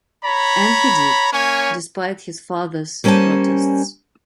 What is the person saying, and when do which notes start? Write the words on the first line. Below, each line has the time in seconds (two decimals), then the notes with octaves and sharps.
And he did, despite his father's protests.
0.23 C#5 A#5 B5
1.33 A#3 C#4 C#5 G#5
3.04 G3 A#3 C#4 C5 G#5 A5